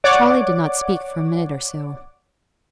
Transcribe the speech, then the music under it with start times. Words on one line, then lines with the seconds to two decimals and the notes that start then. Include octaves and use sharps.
Charley did not speak for a minute or so.
0.04 C#5 D5 F#5 D6